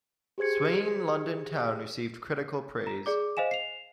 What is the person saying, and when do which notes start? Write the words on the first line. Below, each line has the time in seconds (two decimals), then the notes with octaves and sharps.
"Swinging London Town" received critical praise.
0.38 G4 G#4 C5 G#6 C#7
2.87 A#5
3.06 G#4 D5 D6
3.37 C5 D#5 F5 G#5 E7
3.51 C7 F7